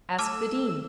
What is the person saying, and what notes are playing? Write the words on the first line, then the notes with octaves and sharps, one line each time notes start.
Ask the Dean.
A3 A5 D6 E6 F6